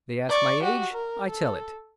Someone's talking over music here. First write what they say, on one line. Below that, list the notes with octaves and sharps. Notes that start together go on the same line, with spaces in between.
They ask my age; I tell it.
D5 C#6
F#4 G4
A#4
A4